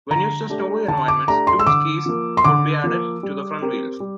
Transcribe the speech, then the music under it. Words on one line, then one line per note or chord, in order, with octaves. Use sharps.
When used in snowy environments two skis could be added to the front wheels.
D3 A#5
A3 D4 G4
D3 A5
D6
A3 D4 G4 A#5
C6
E6
D3 D6
F3 A#3
C6
D3 D6
F3 A#3
G3
C4 G4 A#4
G3